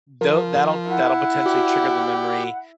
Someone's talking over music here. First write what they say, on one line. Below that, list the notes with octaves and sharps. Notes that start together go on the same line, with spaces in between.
though that'll that'll potentially trigger the memory,
F3 A#4
E4 F#5
F#4 G4 D5